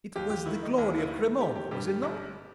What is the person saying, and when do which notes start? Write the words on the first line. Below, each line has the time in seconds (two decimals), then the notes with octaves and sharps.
It was the glory of Cremona, was it not?
0.16 D#2 G4
0.30 G4
0.46 D#3 E4
0.63 D#4
0.77 D#2 E4
0.98 E4
1.09 D#3
1.40 D#3 G4
1.55 G4
1.71 G2 G4
1.88 G4
2.03 G1